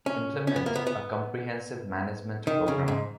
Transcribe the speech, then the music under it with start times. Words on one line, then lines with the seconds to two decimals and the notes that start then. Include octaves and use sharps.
Implement a comprehensive management program.
0.06 C#4
0.47 C#4
0.56 B3
0.66 A#3
0.76 B3
0.87 B3
2.47 D#3
2.68 C#3
2.88 G#2